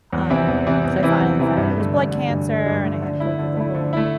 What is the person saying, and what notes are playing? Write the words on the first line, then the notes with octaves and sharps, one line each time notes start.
um, so I finally found out it was blood cancer and I had to go through the whole
E2
C3 E3 C4 E4
E2
C3 E3 C4 E4
E2
C3 E3 C4 E4
E2
C3 E3 C4 E4
G2
D3 A3
G2
D3 A3
G2
D3 A3
G2
D3 A3
D3
A3 E4
D3
A3 E4
D3
A3 E4